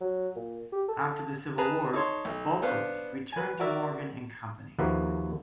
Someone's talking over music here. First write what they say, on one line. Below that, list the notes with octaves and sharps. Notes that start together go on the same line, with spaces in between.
After the Civil War, Bulkeley returned to Morgan and Company.
F#3
A#2
G4
A4
G#4 B4 A5 A#5
D#4 A4 C#5 C6
B1
B3 D4 B4 C5 F5
B4 G#5
F#4 A#4 D5 E5
D#2 F3 A#3 F#4 B4 E5